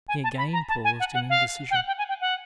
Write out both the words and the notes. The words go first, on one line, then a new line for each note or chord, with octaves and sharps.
He again paused in indecision.
G#5
A5
B5
A#5
A5
G#5
F#5
F#5
F5
G5
F#5
G5
G#5
G5
F#5